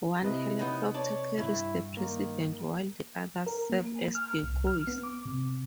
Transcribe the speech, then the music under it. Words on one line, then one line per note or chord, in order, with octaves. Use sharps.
One helicopter carries the President, while the others serve as decoys.
C3 E4 B4 D#5
B3 D#4
C#5 D5 A5
C2 G2 E4
D#3 A#3
A#4
A#3
F6
C2
F6
B3
D6
C3